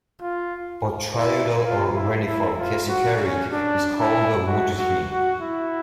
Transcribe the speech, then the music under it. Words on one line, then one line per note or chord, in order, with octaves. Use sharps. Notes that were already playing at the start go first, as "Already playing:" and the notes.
Botryoidal or reniform cassiterite is called "wood tin".
F4
E4
F4
E4
E4
F4
F#4
C#4
D4
E4
F#4
F#4
F#4
E4